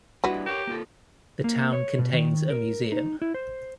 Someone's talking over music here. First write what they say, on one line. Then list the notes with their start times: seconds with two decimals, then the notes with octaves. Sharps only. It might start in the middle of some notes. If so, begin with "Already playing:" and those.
The town contains a museum.
0.24 G3 D4 E4 F#4 B4
0.46 G4 A#4 C#5
0.67 A#3 F4 A4
1.44 A#3
1.73 C#5
1.99 B2
2.13 D#3
2.50 A#4
2.92 D#4
3.22 E4
3.34 C5